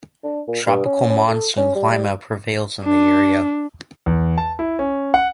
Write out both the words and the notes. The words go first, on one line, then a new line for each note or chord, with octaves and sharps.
Tropical monsoon climate prevails in the area.
D4
A#2
G2
C#4
C#4
A4
C#4
G3
G3
D4
E2
A5
E4
C#4
F#5